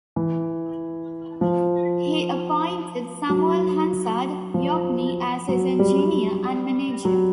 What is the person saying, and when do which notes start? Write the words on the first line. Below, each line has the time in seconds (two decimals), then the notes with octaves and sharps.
He appointed Samuel Hansard Yockney as his engineer and manager.
0.16 E3
1.41 F3
3.29 F#3
4.54 F3
5.48 F#3
5.79 G3
7.05 F#3